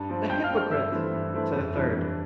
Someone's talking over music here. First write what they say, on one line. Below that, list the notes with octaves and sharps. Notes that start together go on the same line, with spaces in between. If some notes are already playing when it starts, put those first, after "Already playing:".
"The hypocrite!" said a third.
Already playing: G2 A5
F3 C4
G2 G5 G6
F5 F6
F3 C4
F5 F6
G2 E5 E6
E3 A3 C4
G2
E3 A3 C4
F2
E3 G3 D4
F2